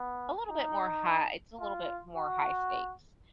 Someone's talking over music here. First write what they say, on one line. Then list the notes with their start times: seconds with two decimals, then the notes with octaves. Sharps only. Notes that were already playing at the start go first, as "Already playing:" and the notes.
a little bit more high it's a little bit more high stakes
Already playing: B3
0.50 D#4
1.60 F4
2.16 F#4